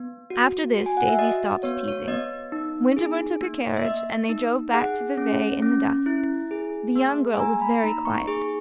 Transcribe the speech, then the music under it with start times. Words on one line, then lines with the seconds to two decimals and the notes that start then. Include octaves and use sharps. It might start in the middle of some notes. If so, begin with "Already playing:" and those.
After this Daisy stopped teasing. Winterbourne took a carriage, and they drove back to Vevey in the dusk; the young girl was very quiet.
Already playing: B3
0.30 F#4
0.75 F#4
0.86 G#5
0.97 F#5
1.08 E5
1.19 F#4 D#5
1.63 B3 C#5
1.88 C#5
2.08 B3 D#5
2.52 D#4
2.97 G#4
3.41 A#3
3.77 E5
3.85 A#3 D#5
4.29 D#4
4.73 G#4 F#5
5.18 C#4
5.62 C#4
6.06 E4
6.51 G#4
6.96 A#3
7.33 G#5
7.39 A#3 A#5
7.61 B5
7.84 D#4 A#5
8.05 C#6
8.27 G#4 C#6